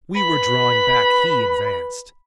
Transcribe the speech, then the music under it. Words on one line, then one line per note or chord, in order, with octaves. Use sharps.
We were drawing back, he advanced!
B4 B5